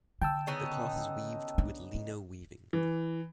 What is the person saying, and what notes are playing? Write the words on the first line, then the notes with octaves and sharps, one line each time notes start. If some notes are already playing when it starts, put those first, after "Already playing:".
The cloth is weaved with leno weaving.
D3 G5 A5 E6
C#3 B3 D#4
D4
E3